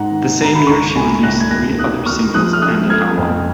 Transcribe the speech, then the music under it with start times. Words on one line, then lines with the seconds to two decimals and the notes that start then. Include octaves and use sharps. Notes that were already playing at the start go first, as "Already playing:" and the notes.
That same year she released three other singles and an album.
Already playing: G#2 F#5 A#5
0.11 D#3
0.39 G#2 A#5
0.55 B5
0.67 C#2 A#5 C#6
0.95 C#2 G#5 B5
1.23 C#2 F#6 A#6
1.40 G#6
1.50 D#2 F#6 A#6
1.78 D#2 D#6 F#6
2.06 D#2 C#6 F6
2.34 F3 D#6 F#6
2.53 F6
2.62 F3 D#6 F#6
2.90 F3 F6 G#6
3.18 F2